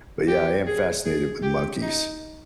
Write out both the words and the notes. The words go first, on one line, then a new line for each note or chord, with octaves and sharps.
but, yeah, I am fascinated with monkeys.
G4
G#4
G#4
G4
D#4